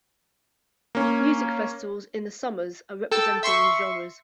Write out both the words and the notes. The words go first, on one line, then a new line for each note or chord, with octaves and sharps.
Music festivals in the Summers are representing these genres.
A#3 C#4
A4 G5 A5 E6
E5 C6 C#6